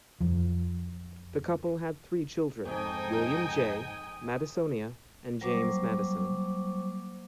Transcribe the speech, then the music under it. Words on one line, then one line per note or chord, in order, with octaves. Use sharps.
The couple had three children: William J., Madisonia, and James Madison.
F2 F3
F2 G#2 D#4 G5 G#5 D#6
F#3 G3 A#3 C5 C#6 D6